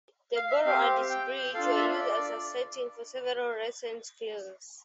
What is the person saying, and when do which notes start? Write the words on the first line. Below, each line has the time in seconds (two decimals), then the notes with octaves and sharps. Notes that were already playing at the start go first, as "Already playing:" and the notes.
The borough and its bridge were used as a setting for several recent films.
0.35 F5
0.50 E5
0.65 C4 G4 F5
1.10 G5
1.54 D4 F4 A4 F5
1.77 E5
1.99 D5